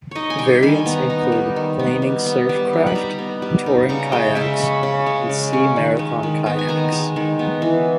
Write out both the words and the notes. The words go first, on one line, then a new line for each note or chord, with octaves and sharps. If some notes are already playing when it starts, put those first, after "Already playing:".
Variants include planing surf craft, touring kayaks, and sea marathon kayaks.
D#4 C#5 D#5
G#5
G3 G5
D#3 G#5
B3 A#5
D#4
G3
D#3
B3
G3
B3
G3
D#4
B5
G3 A#5
B3
G3
D#4
C#3 A#5
G#3 G5
C#3 E5
C#4 B5
C#3
G#3
C#3
C#4
D#3
G#3
D#3
B3
G#5
D#3 A#5
G#3
D#3
B3
E3